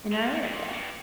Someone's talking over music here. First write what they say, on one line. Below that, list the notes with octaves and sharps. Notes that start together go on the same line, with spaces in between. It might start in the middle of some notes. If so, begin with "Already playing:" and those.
in our area?
A#2
G2
G2
F2
G2